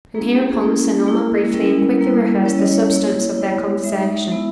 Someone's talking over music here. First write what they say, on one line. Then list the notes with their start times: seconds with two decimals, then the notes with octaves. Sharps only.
And hereupon Sir Norman briefly and quickly rehearsed the substance of their conversation.
0.15 A#3 C#4 E4 G#4
0.26 G#4
0.38 G4
0.49 G#4
0.61 A#3 C#4 E4
1.07 A#3 E4
1.53 G3 C#4 E4 A#4
1.99 G3 A#3 E4
2.45 G3 C#4 E4 C#5
2.58 D#5
2.72 C#5
2.91 A#3 E4
3.38 G#3 B3 E4
3.84 G#3 D#4 E5
4.30 G#3 B3 E4